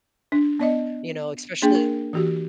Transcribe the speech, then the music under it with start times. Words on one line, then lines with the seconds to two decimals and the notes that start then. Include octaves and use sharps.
you know, especially at
0.32 D4
0.59 B3 D5 D#5
1.62 A#3 D4 G#4 G5
1.75 A#4
2.13 E3 F#4 G4